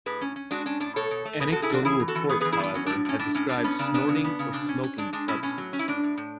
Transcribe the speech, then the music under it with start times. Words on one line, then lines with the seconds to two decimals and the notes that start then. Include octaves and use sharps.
Anecdotal reports, however, have described snorting or smoking the substance.
0.06 A2 G#4 B4
0.21 C#4
0.36 C#4
0.51 G#3 D4 F#4
0.66 C#4 D4
0.80 A2 D4
0.96 B2 A4 C#5
1.11 B2
1.25 A3
1.40 B2 G#4 B4
1.52 F#4 A4
1.56 B2
1.62 E4 G#4
1.70 B2 D4 F#4
1.85 E3 E4 G#4
2.00 E3
2.08 F#4 A4
2.15 E3
2.29 B3 G#4 B4
2.41 G#4 B4
2.45 E3
2.52 E4 G#4
2.59 B3 D4
2.74 F#3 C#4
2.86 A2 D4
3.05 A2 C#4
3.19 A2 D4
3.35 A2 C#4
3.49 A2 D4
3.64 B3 C#4
3.79 C#3 D4
3.94 B3 D4
4.09 C#3
4.24 B3
4.39 C#3
4.53 B2 D4
4.69 C#4
4.83 C#4
4.98 G#3 D4
5.13 G#3 D4
5.28 B2 C#4 E4
5.43 A2 C#4
5.58 F#3
5.73 C#4
5.79 E4
5.88 A2 D4
6.03 A2
6.17 A2